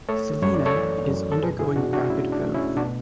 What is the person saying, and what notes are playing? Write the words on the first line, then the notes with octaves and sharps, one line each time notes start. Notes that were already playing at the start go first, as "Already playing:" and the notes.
Celina is undergoing rapid growth.
A3 A4 C#5
F#2 C#5
D5
A4 C#5
E3
F#2
A4
B2 G#4 B4
E4 G#4
B2 D4 F#4
D4 F#4
A3 C#4 E4
D4
A3
C#4 E4
B2 D4 F#4